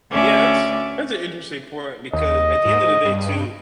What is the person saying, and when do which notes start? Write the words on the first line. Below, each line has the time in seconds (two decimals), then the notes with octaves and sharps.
Yeah, that's that's an interesting point because at the end of the day too,
0.11 D2 C#4 D5 E5
2.13 D#2 D#5
2.65 G#2
3.05 G2